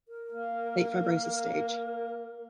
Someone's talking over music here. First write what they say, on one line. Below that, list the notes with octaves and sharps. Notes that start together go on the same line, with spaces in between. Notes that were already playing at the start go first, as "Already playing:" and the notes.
Late fibrosis stage.
A#4
A#3